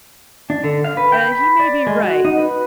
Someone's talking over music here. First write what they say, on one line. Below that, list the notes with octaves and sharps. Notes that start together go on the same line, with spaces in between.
He may be right.
D4
D3
F5
B4
G5
B5
D5
G#3
F#4
D#4
B4